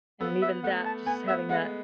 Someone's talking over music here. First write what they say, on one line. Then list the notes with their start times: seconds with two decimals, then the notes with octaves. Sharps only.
and even that, just having that,
0.21 B3 A4
0.42 E5
0.63 A3 F#5
0.86 A5
1.06 B3 G#5
1.28 B3 E5
1.49 G#3 F#5